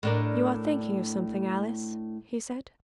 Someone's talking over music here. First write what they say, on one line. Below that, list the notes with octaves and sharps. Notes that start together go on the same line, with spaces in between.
"You are thinking of something, Alice," he said.
A2 D4 A#4